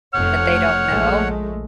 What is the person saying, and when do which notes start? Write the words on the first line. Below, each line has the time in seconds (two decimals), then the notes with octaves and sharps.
that they don't know,
0.13 F1 A3 C#5 F#5 F6
0.89 A#1 G#3 A3